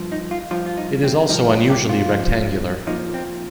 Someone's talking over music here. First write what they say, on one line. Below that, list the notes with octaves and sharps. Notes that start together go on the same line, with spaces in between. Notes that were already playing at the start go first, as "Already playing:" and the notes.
It is also unusually rectangular.
Already playing: G2 F3
D#4
F4
G2 F3 F4
F4
D#4
C4
G2 F3 D#4
F4
G4
F4
G2 F3
A#2 F3 D#4
C4